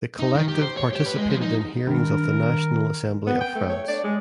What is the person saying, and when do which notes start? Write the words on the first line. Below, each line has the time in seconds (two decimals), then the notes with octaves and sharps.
The collective participated in hearings of the National Assembly of France.
0.19 D#4
0.35 D#3
0.48 G4
0.62 C5
0.77 C#5
0.93 G4
1.06 B4
1.17 G#3
1.29 F3
1.42 D#4
1.87 G2 D#3 A#4
3.27 B3
3.41 G5
3.55 A3
3.69 C#5
3.88 D5
4.04 G#3